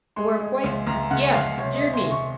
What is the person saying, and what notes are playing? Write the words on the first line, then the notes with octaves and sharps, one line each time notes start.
You are quite--yes--dear me!'
G#3 C6
G#3
C#2
C#2 A#5
C#3 F#5
C#2 F5
C3 C#5
D#5
C3
C6
C3
C#6